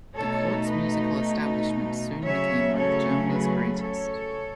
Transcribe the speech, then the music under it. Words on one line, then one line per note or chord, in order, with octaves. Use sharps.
The court's musical establishment soon became one of Germany's greatest.
B2 A3 D#4 A4 C#5
B4 D#5
C#3 F#3 A3 C#4 C#5 E5
A4 C#5
G#4 B4
A4 C#5